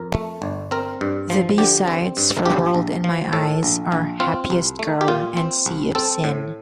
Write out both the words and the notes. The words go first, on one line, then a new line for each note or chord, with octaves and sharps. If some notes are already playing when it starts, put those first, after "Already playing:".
The B-sides for "World in My Eyes" are "Happiest Girl" and "Sea of Sin".
Already playing: F2 A#4
A3
G1
C4 A#4
G2
F3
D3 G4
C4
G2
A#1 G4
A#1
F3
A2 A4
A#1
A#1
C4 F4
C2
A3
G4
A#2 F4
C4
C2
C4 A4
A2